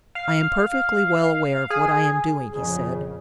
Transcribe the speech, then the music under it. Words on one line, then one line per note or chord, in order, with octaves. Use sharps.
"I am perfectly well aware of what I am doing," he said.
F5
G#4
F2 A#2 C#3 G#4